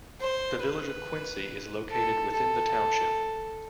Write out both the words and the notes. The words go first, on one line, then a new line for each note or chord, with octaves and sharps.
The village of Quincy is located within the township.
C5
B4
A4
A4